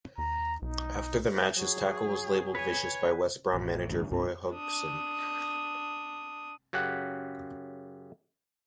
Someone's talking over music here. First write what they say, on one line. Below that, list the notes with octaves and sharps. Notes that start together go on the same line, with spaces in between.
After the match his tackle was labelled 'vicious' by West Brom manager Roy Hodgson.
D#2 A#5
B1 D#4
F#3 G#4
B4 C#5 G#5
A1
A1 D2 G2
C2 G2 C4
D4 D#6
F#2 C#3 G4 F#5